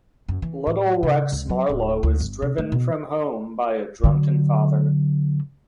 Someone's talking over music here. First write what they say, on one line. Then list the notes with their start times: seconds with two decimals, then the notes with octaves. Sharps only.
Little Rex Marlowe is driven from home by a drunken father.
0.29 F#2
0.42 E3
0.67 A2
1.03 C#3
1.32 C#2
1.49 F#3
1.69 D1
2.03 D2
2.20 G1
2.42 C3
2.58 A3
2.72 B2
4.04 D3 F#3